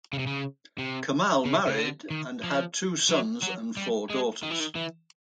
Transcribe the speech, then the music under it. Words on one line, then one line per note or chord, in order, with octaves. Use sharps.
Kamal married and had two sons and four daughters.
C#3
C3
C#3
C3
C#3
C#3
D3
D#3
F3
F#3
F#3
G3
G#3
D#3
E3
D#3
E3